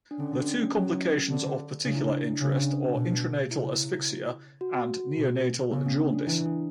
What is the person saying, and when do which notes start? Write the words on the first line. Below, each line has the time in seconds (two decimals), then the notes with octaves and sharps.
The two complications of particular interest are intranatal asphyxia and neonatal jaundice.
0.11 D4
0.19 D3 C#4
0.33 D4
0.47 C#4
0.61 C#4
0.75 F#3 C#4
1.30 D3
1.85 C#3 D4
1.96 E4
2.06 D4
2.40 C#3 D4
2.51 C#4
2.63 D4
2.96 B2
3.51 C#3 E4
4.61 F#4
5.16 B2
5.71 C#3 B3
5.86 C#4
5.99 D4
6.13 D4
6.26 E3 E4
6.46 D4